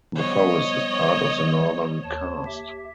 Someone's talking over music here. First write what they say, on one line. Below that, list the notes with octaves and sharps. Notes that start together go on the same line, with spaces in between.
The forest is part of the Northern Karst.
F3 G3 B3 C#5 D#5
D#2 C#5 A5
G4 E5